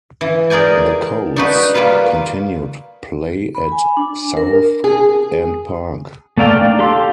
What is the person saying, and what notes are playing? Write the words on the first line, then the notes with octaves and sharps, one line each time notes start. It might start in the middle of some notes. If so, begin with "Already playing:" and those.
The Colts continued play at South End Park.
E3
G#4 A#4 D5 G5 G#5
D4 D#4 F#4 G4 B4
G3 A#3 F4 B4 F5
B5
G#5
D4
A#4
G#4
A3 A#3 D5 F5 G5
D4
G4 A4 F5 C6